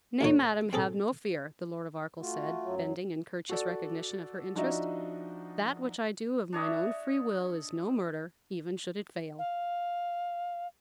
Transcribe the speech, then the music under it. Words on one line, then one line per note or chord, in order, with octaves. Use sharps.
"Nay, madam, have no fear," the Lord of Arkell said, bending in courteous recognition of her interest; "that which I do of mine own free will is no murder, even should it fail."
D2 A#2 C#5
C4 G#4 A4
A3 F4 F#4
F#2 F#3
F#4 A4 D5
F3 D4 D#4 F#4 D#5 E5
D4 C#5 D#5 E5
F5